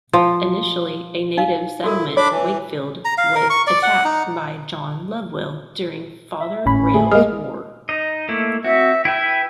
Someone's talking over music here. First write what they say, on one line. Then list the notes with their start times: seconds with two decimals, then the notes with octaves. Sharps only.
Initially a native settlement, Wakefield was attacked by John Lovewell during Father Rale's War.
0.13 F3
1.37 D#4 F5
1.84 E4 F#4 A4 A#4
2.17 D4 C#5 B5 D6
2.30 E3
3.05 A#5
3.18 F5
3.35 A#4
3.50 C#6
3.67 D5
3.83 F#5
4.05 D#4
6.40 E5
6.66 G#1 A2 C#4 B5
6.94 A3 G#4
7.11 G#3 A#3 D#6 F6
7.89 D#4 D#5
8.29 A3 A#3 E4
8.64 C4 F#4 E5
9.05 E4 B4 E5 G5